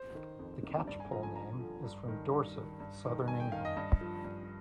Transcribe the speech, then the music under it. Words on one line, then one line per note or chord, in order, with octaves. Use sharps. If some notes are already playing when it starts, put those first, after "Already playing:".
The Catchpole name is from Dorset, Southern England.
Already playing: C5
D#3
F2
D#3
G2 D5
G#5
D3 F3 A#5
G#5
G2 A#5
D3 F3
G2
D#3
G2
D#3
G2
D#3
G2 G#5
G5
D#3 F5
D#5
G2 D#5
F3
G2